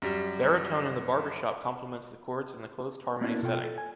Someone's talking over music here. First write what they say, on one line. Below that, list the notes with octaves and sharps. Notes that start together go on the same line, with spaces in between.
Baritone in the Barbershop complements the chords in the closed harmony setting.
F#2 G3
A#3 B3 C#4 D4 E4 F#4
B2 F4 A4 G5
A4
G#5